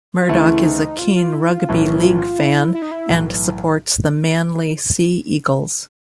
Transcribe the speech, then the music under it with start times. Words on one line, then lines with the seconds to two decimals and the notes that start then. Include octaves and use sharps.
Murdoch is a keen rugby league fan and supports the Manly Sea Eagles.
0.22 F4
0.29 D2 C#3 E3 A3 E4
0.63 D#4
0.99 F4
1.16 F4
1.34 E4
1.52 F4
1.69 B1 A2 E3 A3 C#4 E4
2.03 F4
2.39 E4
2.74 E4
2.82 D#4
2.91 E4
3.09 B1 A2 E3